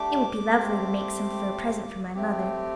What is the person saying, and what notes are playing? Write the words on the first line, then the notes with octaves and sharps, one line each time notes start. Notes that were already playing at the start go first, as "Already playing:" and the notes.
"It would be lovely to make some for a present for my mother."
Already playing: A3 D4 G4 D6
A3 C4 G4
A3 C4 G4